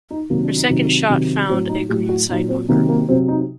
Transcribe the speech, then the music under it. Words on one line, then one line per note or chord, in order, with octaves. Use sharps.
Her second shot found a green-side bunker.
D#4
C3 D#3 F#3 A#3
D4
D#4
C3 D#3 F#3
C3 D#3 F#3
A2 F#3 C4
D#4
A2 F#3 G4
F#4
A#2 F#3 D#4
C4
C3 D#3 F#3 A#3
A#3
C3 F#3 C4
D#4